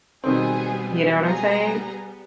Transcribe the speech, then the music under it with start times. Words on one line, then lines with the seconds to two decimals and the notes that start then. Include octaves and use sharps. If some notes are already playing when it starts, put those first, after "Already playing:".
You know what I'm saying?
0.24 B2 D#3 G3 B3 C4 G#4 G#5
1.23 G#4 A#5